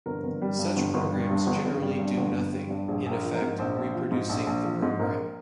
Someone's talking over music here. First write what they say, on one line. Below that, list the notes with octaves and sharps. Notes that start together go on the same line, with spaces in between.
Such programs generally do nothing, in effect, reproducing the program.
G1 A#4
G1
G3
G2
G1
G1
G3
G2
G1
G1
G3
G2
G1
G1
G3
G2
A#1 G#4
A#1
A#4
F3
A#4
G#2
A#1 C5
A#1
F3
G#2
A#1
A#1
F3
G#2
A#1 A#4